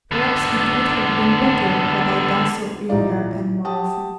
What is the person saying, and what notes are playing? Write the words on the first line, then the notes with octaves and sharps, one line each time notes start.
Perhaps it would have been better had I done so earlier and more often.
D3 B3
A#1 E3 D#4 E4 D5 F5
G4 F#5 A5 D#6